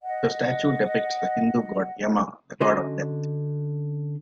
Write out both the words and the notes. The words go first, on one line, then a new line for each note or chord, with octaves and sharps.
The statue depicts the Hindu god Yama, the god of death.
D#5 F#5
D3 C#4 F#4 D#5 G#5 C6